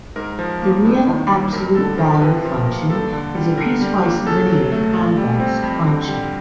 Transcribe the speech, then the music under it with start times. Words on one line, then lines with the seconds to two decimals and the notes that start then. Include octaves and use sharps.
The real absolute value function is a piecewise linear, convex function.
0.16 G#2 A#4
0.39 F3
0.62 A#3
0.85 G2
1.07 D#3
1.30 F#3
1.53 F2 A#4
1.75 D3 A4
1.98 F3 A#4
2.21 C3 B4
2.44 F3 A#4
2.66 A#3 A#4
2.90 G2 A4
3.13 D3
3.35 G3
3.57 D3 A#4
3.81 G3
4.03 A#3
4.26 C#3 A4
4.49 F#3
4.72 A3
4.94 A#2
5.17 G3
5.40 C4
5.63 F2
5.85 D3
6.08 G3